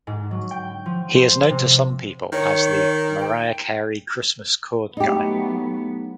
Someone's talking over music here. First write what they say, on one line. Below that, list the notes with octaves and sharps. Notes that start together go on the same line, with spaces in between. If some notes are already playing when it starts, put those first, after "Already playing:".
He is known to some people as the "Mariah Carey Christmas chord guy".
G#2
F#3
G5
F3
C5
C3
D#3 C#5
G5
F#3 A3 B3 D#4 G4